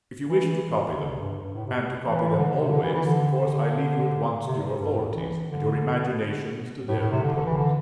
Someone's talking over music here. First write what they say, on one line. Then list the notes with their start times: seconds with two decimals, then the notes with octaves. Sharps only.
If you wish to copy them, and to copy them always, of course I leave you at once to your authorities, and your imaginations to their repose.
0.28 E3
0.45 E3
0.96 D3
1.09 C3
1.19 G2
1.44 G2
1.54 A2
1.66 C3
2.01 E3
2.36 D3
2.47 D3
2.59 C3
2.71 D3
2.82 E3
2.94 E3
3.05 D3
3.40 D3
4.45 C3
4.80 G2
4.91 A2
5.14 E3
5.49 D3
6.88 A2
6.99 A2
7.11 C3
7.23 D3
7.34 D3
7.46 E3
7.57 D3